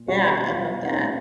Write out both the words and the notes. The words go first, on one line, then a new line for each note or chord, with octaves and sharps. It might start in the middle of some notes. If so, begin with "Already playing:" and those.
Yeah, I love that.
Already playing: A#2
B2 F#4
F4
F#4
B2 F4
D#4
A#2 C#4